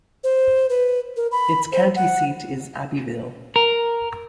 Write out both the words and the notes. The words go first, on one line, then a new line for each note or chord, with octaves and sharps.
Its county seat is Abbeville.
C5
B4
A#4
B5
C5
F#5
A#4